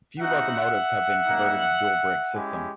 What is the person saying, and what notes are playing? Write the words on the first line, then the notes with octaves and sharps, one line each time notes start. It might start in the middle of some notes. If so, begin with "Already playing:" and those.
Few locomotives have been converted to dual brake system.
B3 D#4 F#4 E5 F#5
G3 A#3 D#4
G#3 C#4 E4 G4